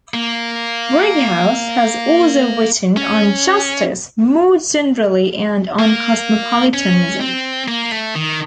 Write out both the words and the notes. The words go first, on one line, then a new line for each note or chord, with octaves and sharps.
Brighouse has also written on justice more generally and on cosmopolitanism.
A#3
C#4
A#3
C#4
C4
A#3
A3
D#3